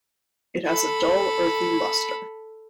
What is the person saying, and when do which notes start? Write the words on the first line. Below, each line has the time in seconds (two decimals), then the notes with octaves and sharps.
It has a dull, earthy lustre.
0.67 A4 B5